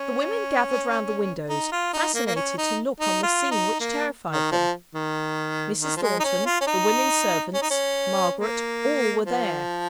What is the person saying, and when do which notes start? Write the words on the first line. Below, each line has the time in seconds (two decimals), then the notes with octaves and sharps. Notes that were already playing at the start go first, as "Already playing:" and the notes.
The women gathered round the windows, fascinated to look on the scene which terrified them. Mrs. Thornton, the women-servants, Margaret,--all were there.
Already playing: C#4
1.49 D#4
1.72 F4
1.93 D#4
2.14 A#3
2.26 A#3
2.36 C#4
2.58 D#4
3.00 D#4
3.23 F4
3.51 D#4
3.80 A#3
4.30 D#3
4.51 F3
4.95 D#3
5.81 D#3
5.96 F3
6.02 G#3
6.19 D#4
6.24 C#4
6.46 F4
6.61 C#4
6.67 D#4
7.54 C#4
7.62 D#4
7.70 C#4
8.40 A#3
9.26 F3